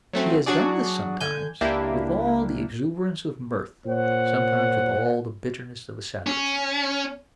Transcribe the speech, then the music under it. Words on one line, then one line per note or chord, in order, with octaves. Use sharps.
He has done this sometimes with all the exuberance of mirth, sometimes with all the bitterness of a satirist.
F#3 A3 C4 C#4
F#3 D4 F#4 G#4 D5
D3 G#5 G6
C#2 A#3 D4 E4 G4
A#2 C5 C#5 F#5
C#4